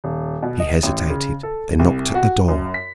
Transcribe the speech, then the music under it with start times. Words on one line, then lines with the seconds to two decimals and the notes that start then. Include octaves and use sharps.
He hesitated, then knocked at the door.
0.04 D#1
0.43 B2
0.60 D#5
0.83 A1
1.10 C#3
1.43 A4
1.79 C2
2.15 F#4
2.48 F#2
2.74 B6